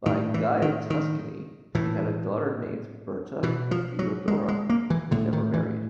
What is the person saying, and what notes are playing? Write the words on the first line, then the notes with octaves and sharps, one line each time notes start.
By Guy of Tuscany she had a daughter named Berta Theodora, who never married.
A2 D#3
E3
D#3
D#3
A2 E3
B2 E3
F3
F#3
G#3
G#3
A#3
E3
A2 D3
D#3
E3